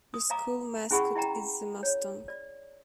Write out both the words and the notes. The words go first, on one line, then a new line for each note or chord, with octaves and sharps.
The school mascot is the Mustang.
D#6
D#5 F5 A#5 D6 D#6
C#4 E4 G#4 F#5 B5 C#6
E4 D#5 G5 A#5
C#5
D5